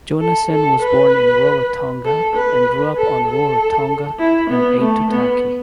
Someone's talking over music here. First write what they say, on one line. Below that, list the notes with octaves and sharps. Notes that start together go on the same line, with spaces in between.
Jonassen was born in Rarotonga and grew up on Rarotonga and Aitutaki.
A4
A4
B4
A4
B4
A4
A4
E4
B3
A3
B3